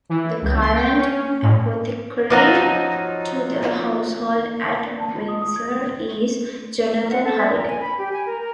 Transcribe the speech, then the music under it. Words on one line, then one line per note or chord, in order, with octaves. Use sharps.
The current Apothecary to the Household at Windsor, is Jonathan Holliday.
E3
C#2
C6
G5
C#4
A2
F3 F#3 D#4
D5
A5
F4
D#6
D#6
G#6
A#4
F#5
A4
E5
A#4
G#5
B5
G4
G#5
A#4
A#4